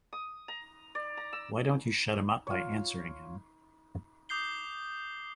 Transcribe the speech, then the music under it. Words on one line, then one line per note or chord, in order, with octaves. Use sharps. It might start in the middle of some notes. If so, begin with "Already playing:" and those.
Why don't you shut him up by answering him?
D#6
A#5
D5
A#5
E6
F4 C#5
D6 D#6 G6 C7 G7